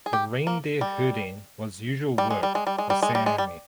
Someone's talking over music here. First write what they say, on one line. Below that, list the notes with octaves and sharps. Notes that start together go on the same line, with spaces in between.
The reindeer herding was usual work for Saami.
G#4
G4
A#3
G3
G3
G#3
G3
G#3
G3
G#3
G3
G#3
G3
G#3
G3